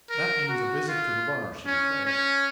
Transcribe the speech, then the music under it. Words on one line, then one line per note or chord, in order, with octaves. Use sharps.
"That means a visit to the bar!" she declared.
A#4
F#4
F4
C#4
C#4